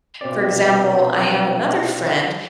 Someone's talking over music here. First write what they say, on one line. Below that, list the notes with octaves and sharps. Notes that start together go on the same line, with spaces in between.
For example, I have another friend
G2 B2 C4 D5